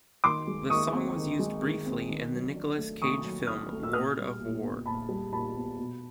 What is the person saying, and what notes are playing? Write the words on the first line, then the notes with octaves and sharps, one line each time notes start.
The song was used briefly in the Nicolas Cage film "Lord of War".
D#3 C6 D6
G#3
D#3 C#6 D#6
C4
D#3
G#3
D#3
C4
D#3
F#3
D4
A3
D#3 C#6 D#6
F#3
D4 D#6 F6
A3
E6
A#2 D#6 F6
G3
A#2
B3
A#2 A5 B5
G3
A#2 A5 B5
B3
B2